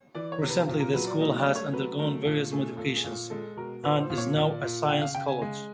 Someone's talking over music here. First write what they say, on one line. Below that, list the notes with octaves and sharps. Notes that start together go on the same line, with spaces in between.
Recently the school has undergone various modifications, and is now a Science College.
E3 D5
C#5
C3
B4
A#2
A#4
F#3 B4
D5
A3 D#5
D5
A3
C#5
F#3 B4
A3 A#4
A#2 A4
A3 G#4
A#2 A4
G#4
A#2
G#3 A4
B2 A#4
A#2 B4
C5
A#2
C#5
A#2 D5
A#2
C#3 G5
F5
C#3 G5
G#5
G#3